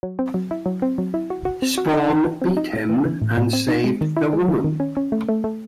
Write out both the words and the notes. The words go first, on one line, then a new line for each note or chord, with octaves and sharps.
Spawn beat him and saved the woman.
F#3
C4
F#3
E4
F#3
C4
F#3
E4
F#4
F#4
C4
F#4
D#4
E3
E3
C4
D#4
A2
E3
E3
A2
A2
C4
D#4
G#3
D#3
E4
G#3
D#3
D#3
C#4
C#4
A3
A3
A3